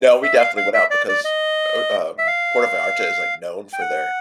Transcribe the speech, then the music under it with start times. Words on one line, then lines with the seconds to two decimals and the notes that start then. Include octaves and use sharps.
No, we definitely went out because, oh um Puerto Vallarta is, like, known for their,
0.23 E5
0.39 F5
0.57 F5
0.74 E5
0.91 D5
1.08 D5
1.25 D#5
2.18 E5
2.27 F5
3.73 G5
3.81 F#5